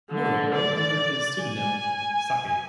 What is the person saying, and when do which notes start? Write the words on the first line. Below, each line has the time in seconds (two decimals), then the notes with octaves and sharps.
Munro better known under his pseudonym Saki.
0.11 D3
0.55 D5
1.42 G#5